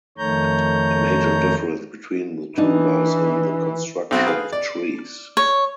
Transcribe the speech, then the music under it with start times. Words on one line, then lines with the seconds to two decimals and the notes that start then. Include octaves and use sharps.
A major difference between the two lies in the construction of trees.
0.18 F2 D#3 A3 C#5 A#5 G6
2.57 E3 D4 D#4
4.11 B1 C4 F#4
4.26 G#4 B4 F5
4.53 D5
5.37 C#5